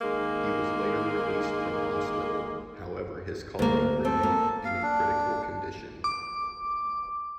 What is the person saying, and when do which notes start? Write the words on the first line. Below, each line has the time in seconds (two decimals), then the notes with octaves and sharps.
He was later released from hospital, however his colleague remained in a critical condition.
0.02 D#3 G#3 A#3 G#4
3.59 D2 A#3
4.05 C4 A4
4.23 A#3
4.65 F5
4.83 D4
6.04 D6